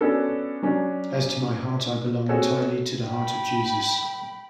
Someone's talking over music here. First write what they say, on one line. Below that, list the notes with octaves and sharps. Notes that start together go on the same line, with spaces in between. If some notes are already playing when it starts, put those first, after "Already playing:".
As to my heart, I belong entirely to the Heart of Jesus.
B3 C#4 D4 F#4 A4
F#3 C#4 D4
C4 F#4 G#4 A4 C#5
G5 B5